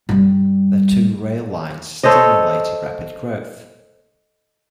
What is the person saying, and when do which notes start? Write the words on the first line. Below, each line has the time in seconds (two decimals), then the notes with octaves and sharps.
The two rail lines stimulated rapid growth.
0.09 G2 G3
2.03 A4 C5 C#5 D#5